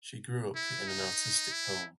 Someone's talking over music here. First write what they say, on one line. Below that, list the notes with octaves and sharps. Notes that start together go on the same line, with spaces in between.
She grew up in an artistic home.
E4
D#4
E4